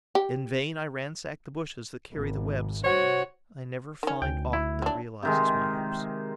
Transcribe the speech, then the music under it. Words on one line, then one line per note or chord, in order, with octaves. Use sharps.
In vain I ransack the bushes that carry the webs: I never find aught that realizes my hopes.
G4
G#1
G2 C3 F#4 C5 C#5 F#5
D#3 C#4
D2 G5
E4
F#3 D4
C3 D#3 G#3